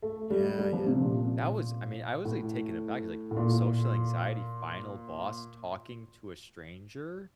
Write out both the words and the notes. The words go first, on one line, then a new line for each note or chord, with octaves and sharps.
Yeah, yeah. That was, I mean, I was like taken aback like, social anxiety, final boss talking to a stranger
A3
G3
G3
F3
C3
A#2
A2
A2
A#2